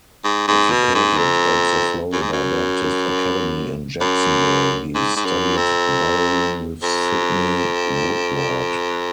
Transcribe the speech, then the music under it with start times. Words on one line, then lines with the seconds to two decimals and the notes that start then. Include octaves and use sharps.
Educated at the Florida Baptist Academy in Jacksonville, he studied violin with Sidney Woodward.
0.24 G#2
0.48 G#2
0.71 B2
0.95 G#2
1.18 F2
2.12 F#2
2.22 G#2
2.32 F#2
4.01 F#2
4.95 G#2
5.16 G#2
5.25 F#2
5.57 F2
6.82 F2